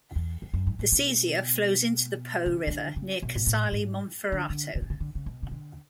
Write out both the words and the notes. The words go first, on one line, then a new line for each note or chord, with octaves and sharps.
The Sesia flows into the Po River near Casale Monferrato.
E2
E2
F#2
G#2
A2
B2
C#3
E3
D3
C#3
B2
G#2
A2
G#2
D3
D3
C#3
B2
C#3
D3
C#3
B2
C#3
D3